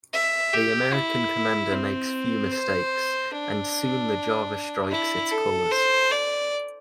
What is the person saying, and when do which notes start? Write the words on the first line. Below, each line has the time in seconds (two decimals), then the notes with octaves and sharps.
The American commander makes few mistakes and soon the "Java" strikes its colours.
0.13 E5
0.53 G4
0.93 E4
1.73 C4
2.52 C5
3.32 D4
4.92 E4
5.32 A4
5.72 C5
6.11 D5